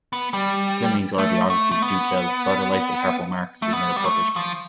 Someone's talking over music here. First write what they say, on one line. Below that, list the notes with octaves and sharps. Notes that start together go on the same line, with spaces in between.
Fleming's autobiography, "Do Tell", about her life with Harpo Marx, was never published.
B3
G3
A3
A3
A3
B3
A3
B3
G3
A3
F3